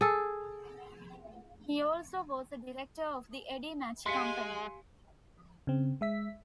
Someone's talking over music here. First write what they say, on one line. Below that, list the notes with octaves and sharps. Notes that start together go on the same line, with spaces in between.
He also was a director of the Eddy Match Company.
G#4 A4
G#3 G4 F5 G#5 C6 B6 C#7
C#3 C4
G#3 E5 B6